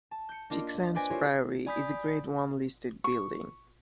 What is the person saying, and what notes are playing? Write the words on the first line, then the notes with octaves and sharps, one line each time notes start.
Chicksands Priory is a Grade One listed building.
A5
G6 C#7
A#3 D4 F4 D#5
B4 C5 D5 G#5 A#6
E4 F4 G4 A#4 C5 C#5
D5 G#5 B5 D#6 G6 B6
C#6